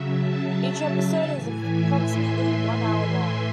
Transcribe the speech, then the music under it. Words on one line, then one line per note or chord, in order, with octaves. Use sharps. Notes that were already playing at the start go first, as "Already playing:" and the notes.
Each episode is approximately one hour long.
Already playing: C#3 F#3 E5
A5
A5
A2 E3 G#5
E5
C6